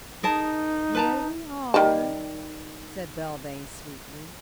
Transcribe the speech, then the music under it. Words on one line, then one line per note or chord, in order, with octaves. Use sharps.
"Here we are," said Belvane sweetly.
D#4 G#4 A#4 A5
B4 A5 A#5
D#3 G3 A5